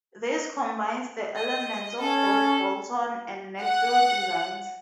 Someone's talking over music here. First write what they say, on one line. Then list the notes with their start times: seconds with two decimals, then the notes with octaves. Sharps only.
This combines the elements of both bolt-on and neck-through designs.
1.36 D#5
2.00 C#4 A4
3.62 F#5